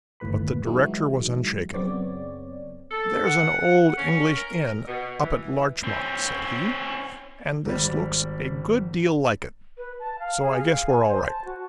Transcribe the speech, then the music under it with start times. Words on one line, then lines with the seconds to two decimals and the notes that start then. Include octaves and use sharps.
But the director was unshaken. "There's an old English inn up at Larchmont," said he, "and this looks a good deal like it, so I guess we're all right."
0.20 G1 D#2 A2 B4 B5
0.66 E3 F#3 G#3 D#4 E4 F#4
1.74 F#2 C#3 B3 C4 C#5 D5
2.90 A4
3.25 F#5
3.97 C#4
4.35 A#4
4.86 B2
5.19 E3
5.84 C4 C#4
7.66 G#1 G3
9.78 B4
10.00 A5
10.19 F5
10.42 G#4
10.58 F5
10.85 G#5
11.08 C5
11.27 A5
11.45 F#4